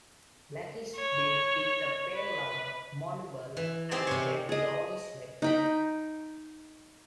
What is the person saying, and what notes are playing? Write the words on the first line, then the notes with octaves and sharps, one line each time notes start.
Blackish bill with a pale lower mandible and pale brownish legs.
C#5
B4
E3
C4 D#4 G4 G#4 C5
C3 C#5
G#4 D#5
D#4 G5 B5